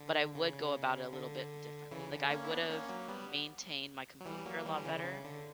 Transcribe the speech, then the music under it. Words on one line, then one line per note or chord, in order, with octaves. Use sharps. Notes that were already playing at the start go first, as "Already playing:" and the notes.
but I would go about it a little bit differently, like, I would've maintained my composure a lot better,
Already playing: D3
C#3
D3
C#3 E3
D3
A#3 C#4
E4
B3 D4
A#3 C#4
F#3 A#3
G3 B3
F#3
E3 G3
F#3 A#3
E3 G3
D3
C#3 E3
C#3
D3